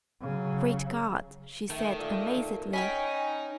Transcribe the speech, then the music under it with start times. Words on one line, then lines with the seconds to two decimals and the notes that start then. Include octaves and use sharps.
"Great God!" she said amazedly.
0.21 C#3 F#3
1.70 D#3 A3
1.99 A#2
2.73 C#4 D#4 G5 G#5 B5